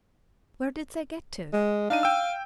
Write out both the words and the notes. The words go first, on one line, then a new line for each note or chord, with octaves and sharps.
Where did they get to?
G#3
D4 D#4 F5 D#7
G5 E6